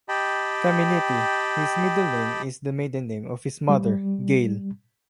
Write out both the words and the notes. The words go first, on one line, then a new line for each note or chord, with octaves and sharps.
"Caminiti", his middle name, is the maiden name of his mother, Gail.
G4 D#5 G5 A5 B5
G3